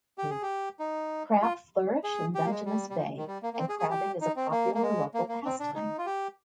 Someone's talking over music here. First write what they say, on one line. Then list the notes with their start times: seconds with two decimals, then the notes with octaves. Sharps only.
Crab flourish in Dungeness Bay, and crabbing is a popular local pastime.
0.18 G4
0.30 G#4
0.42 G4
0.80 D#4
1.42 F4
2.04 G#4
2.35 G4
2.46 A#3
2.50 G#3
2.66 G3
2.90 G3
2.97 F3
3.17 D#3
3.27 G3
3.43 A#3
3.53 A#3
3.58 C4
3.69 G#4
3.79 G#4
3.90 G4
4.21 D#4
4.36 C4
4.51 A#3
4.75 A#3
4.82 G#3
5.14 A#3
5.29 A#3
5.45 C4
5.60 D4
5.75 D#4
5.98 F4
6.06 G4